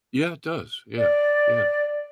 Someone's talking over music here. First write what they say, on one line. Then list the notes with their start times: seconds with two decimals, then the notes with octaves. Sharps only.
Yeah, it does, yeah, yeah,
0.98 D5